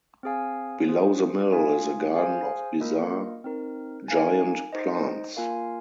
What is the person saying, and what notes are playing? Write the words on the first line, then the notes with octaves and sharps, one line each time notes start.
Below the mill is a garden of bizarre, giant plants.
C4 G#4 F5 G#5
F4 G#4 C5
F4 G#4 F5 G#5
G#4 C5 F5 G#5
A#3 F4 A#4 D#5
C4 D#4 A#4
D#4 A#4 F5 G#5
D#4 C5 D#5
A#3 F4 A#4 F5 G#5